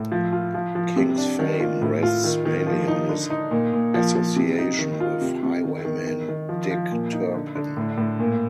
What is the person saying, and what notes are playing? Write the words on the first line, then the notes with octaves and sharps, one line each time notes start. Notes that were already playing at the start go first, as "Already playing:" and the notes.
King's fame rests mainly on his association with highwayman Dick Turpin.
Already playing: A2
F3
F4
F3
F3
C3
D4
D#3
F4
A2
F4
D#3
D#3
F3
D#4
D3
D#4
A#2
A#2
F3
F3
C3
D#4
D#3
F4
C3
C3
D#3
D#3
D#3
D#3
F3
F3
A#2
D#4
D3
D3
A2
A2
A#2